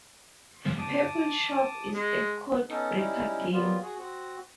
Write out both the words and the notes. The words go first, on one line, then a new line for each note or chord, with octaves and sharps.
Purble Shop is a code-breaker game.
A5 D6 D#6
G#3
B3 C#4 D#4 A4
G3 C#4 D#4 E4
F#3 G3 A#3 B3 F4
F#4 G#4
C4 F#4